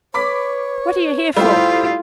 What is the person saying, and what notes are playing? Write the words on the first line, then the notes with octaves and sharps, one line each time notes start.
"What are you here for?"
B4 C#5 B5 D6 B6
G3 A3 E4 F4 G4 A4 C5 D#6